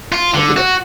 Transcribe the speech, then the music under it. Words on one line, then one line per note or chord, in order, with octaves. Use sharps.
Have a good day.
F4
D3
F#4